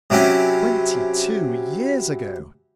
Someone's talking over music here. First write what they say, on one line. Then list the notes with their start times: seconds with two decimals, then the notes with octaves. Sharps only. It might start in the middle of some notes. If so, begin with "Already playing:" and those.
Twenty-two years ago!
0.10 C3 F#3 C4 C#4 E4